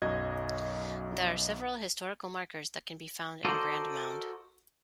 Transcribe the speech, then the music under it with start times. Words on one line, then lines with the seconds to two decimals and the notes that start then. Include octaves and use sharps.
There are several historical markers that can be found in Grand Mound.
0.02 B1 F#2 F#4 D#5 G#6
3.45 F#4 A4 A#4 C5 D5 D#5